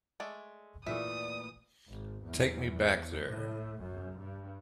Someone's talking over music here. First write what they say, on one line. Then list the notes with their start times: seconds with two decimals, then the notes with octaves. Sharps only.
Take me back there.
0.20 G#3 A3 D5
0.86 A#2 E3 A3 D5 E5 D#6
1.88 G#1
2.24 E2
3.25 A2
3.81 F#2
4.18 G2